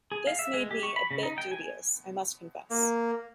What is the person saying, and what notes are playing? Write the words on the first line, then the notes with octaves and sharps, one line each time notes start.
This made me a bit dubious, I must confess.
G#4
F5
E5
G#3
G4
C#6
B5
C#3
D#4
G5
G#5
A#3